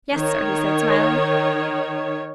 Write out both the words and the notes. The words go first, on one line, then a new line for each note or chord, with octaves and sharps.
"Yes, sir," he said smiling.
D#3 C#5